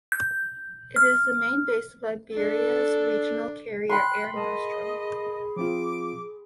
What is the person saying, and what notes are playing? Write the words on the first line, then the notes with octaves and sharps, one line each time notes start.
It is the main base of Iberia's regional carrier Air Nostrum.
G6
F6
D4 A4
G5 B5 C6 F#6
G#4 A#4 D#5 A5
F3 C4 F4 D6